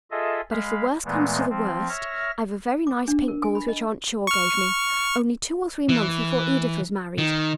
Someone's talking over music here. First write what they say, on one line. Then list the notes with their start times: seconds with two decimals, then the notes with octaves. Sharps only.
But if the worst comes to the worst, I've a very nice pink gauze which aunt Shaw gave me, only two or three months before Edith was married.
0.11 F4 G#4 A4 D#5 E5
0.51 G#3 F5 B5
1.05 A#2 E3 G#3 A3 B3
1.49 F3 C4
1.89 C#5 E5 F6 A#6
2.87 D6
3.08 D4
3.28 A#4
3.43 G#5
3.55 B5
3.68 D#5
4.27 C#6 F6
5.89 E3
7.18 D#3